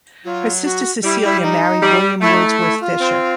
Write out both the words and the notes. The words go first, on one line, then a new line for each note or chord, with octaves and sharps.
Her sister Cecilia married William Wordsworth Fisher.
F#3 F4
F#4
G3 E4
E4
D#4
G3
A3 E4
D#4
E4
E4
F4
C4